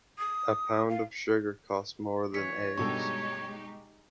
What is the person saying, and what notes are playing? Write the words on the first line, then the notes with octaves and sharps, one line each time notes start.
A pound of sugar costs more than eggs.
D#6
F5
E3 C#5 B6 C#7
G2 B2 G#3 D#4 G4 A4 C#6